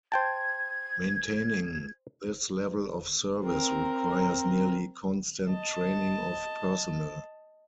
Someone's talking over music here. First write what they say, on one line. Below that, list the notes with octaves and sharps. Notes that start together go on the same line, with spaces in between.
Maintaining this level of service requires nearly constant training of personnel.
C5 G5 A5 G#6
C4 A#4
D#5 A5